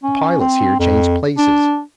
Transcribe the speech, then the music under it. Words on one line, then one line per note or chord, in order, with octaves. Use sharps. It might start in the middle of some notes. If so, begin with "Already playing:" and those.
The pilots here changed places.
C#4
C4
F2
D4